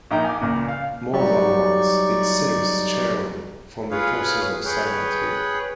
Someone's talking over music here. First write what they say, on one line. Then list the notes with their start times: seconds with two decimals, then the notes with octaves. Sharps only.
More than once, it saves Sharon from the forces of Silent Hill.
0.11 A#1 D#4 G5 A#5
0.24 G#5 D6
0.41 C#2 A#2
0.68 F5
1.13 F#3 G3 D#4 G4 D5 C#6
3.91 F4 G#4 B4 C#5 F5
4.65 G#4 B4 C#5 G5